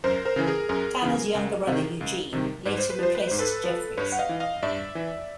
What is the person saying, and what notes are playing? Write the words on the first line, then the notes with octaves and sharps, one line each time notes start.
Tanner's younger brother, Eugene, later replaced Jeffries.
F#2 A#4 C5
A#4 C5
C#3 E3
G#4 A#4
F#2 G#4 A#4
C#3 E3
C#2
C3 D#3
C#2
C3 D#3
G#2 B4
C5
B4
F3 C5
B4
G#2 C5
A4 B4
F3
G2 B4 C#5
F#5
D#5 F5
E3
D#5 F5
G2 D5 E5
E3